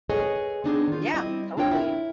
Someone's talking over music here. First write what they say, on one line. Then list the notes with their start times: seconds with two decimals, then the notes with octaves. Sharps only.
Yeah, totally.
0.09 G#4 A4 B4 C#5 D#5 G#5
0.64 B3 C4 D4 D#4 F#4 G#4
0.88 D#3 F4
1.13 G3 C4 E4 D#5
1.57 C4 D4 F4 C#5 G5
1.71 E4 A#4